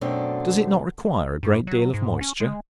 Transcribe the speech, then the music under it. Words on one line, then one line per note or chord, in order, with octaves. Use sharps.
Does it not require a great deal of moisture?
F#2 B2 A3 C4 D4
G2
F#3
G#2
C#4
G#3